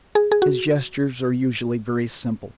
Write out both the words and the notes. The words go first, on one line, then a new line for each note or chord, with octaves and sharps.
His gestures are usually very simple.
G#4
G#4
F#4